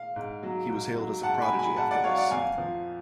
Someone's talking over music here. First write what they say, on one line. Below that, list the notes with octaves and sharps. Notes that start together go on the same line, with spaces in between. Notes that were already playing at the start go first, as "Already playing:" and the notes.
He was hailed as a prodigy after this.
Already playing: F5
G#2
F#3
G#2
F#3
G#2 F#5 A5
G#5 B5
F#3
G#5 B5
G#2 F#5 A5
D5 F#5
F#3 C#5 F5
D5 F#5
F2 F5 G#5
F3